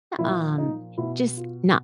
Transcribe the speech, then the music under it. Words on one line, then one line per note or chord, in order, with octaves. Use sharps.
eh, um, just not
A#2 F3 E4
D#4
B2 E4
F4